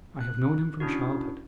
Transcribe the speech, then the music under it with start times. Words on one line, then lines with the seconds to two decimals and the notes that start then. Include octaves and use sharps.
I have known him from childhood.
0.20 F#6
0.80 C#4 D4 E4 F#4